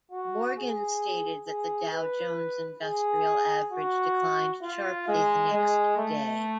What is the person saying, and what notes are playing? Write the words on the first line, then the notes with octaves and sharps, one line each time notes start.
Morgan stated that the Dow Jones Industrial Average declined sharply the next day.
F#4
G#4
G#4
B4
G#4
F#4
F4
G#3
G#3
A3